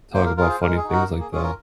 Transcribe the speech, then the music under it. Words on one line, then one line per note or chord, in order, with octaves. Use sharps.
talk about funny things like that.
A#3 C5
A#4
F4 G#4 A#4
C5
G#3 A#4
G#4
D#4 F#4
A#4
A#3
G#4
C#4 F4 G#4
A#4